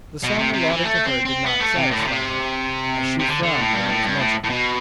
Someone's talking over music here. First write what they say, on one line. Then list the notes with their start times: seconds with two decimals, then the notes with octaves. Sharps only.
The sum allotted to her did not satisfy her, as she frowned when it was mentioned.
0.23 B2
0.39 C3
0.53 C3
0.68 E3
0.84 A3
1.05 C4
1.25 C4
1.46 B3
1.60 A3
1.75 C3
1.91 A2
1.98 D3
2.07 C3
3.19 C3
3.28 D3
3.43 D3
3.59 A2
3.74 G2
3.88 A2
4.04 G2
4.19 A2
4.44 A2
4.50 B2